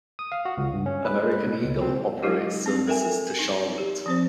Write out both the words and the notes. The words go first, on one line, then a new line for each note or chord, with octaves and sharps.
American Eagle operates services to Charlotte.
D#6
F5
F#4
C#2
G2
C#4
B4
G#3
B4
B2
C#2
C4
F#3 G#3 D#4 F4 G4 D#5
C4
A4 A#4 E5 G5 G#5
D#4
G4
F3 C4 C5